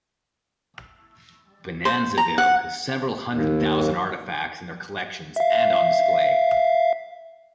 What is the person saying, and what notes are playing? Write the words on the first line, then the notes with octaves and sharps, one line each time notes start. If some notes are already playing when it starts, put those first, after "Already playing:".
Bonanzaville has several hundred thousand artifacts in their collections and on display.
C5
A#5
F#5
D#2
E5 F5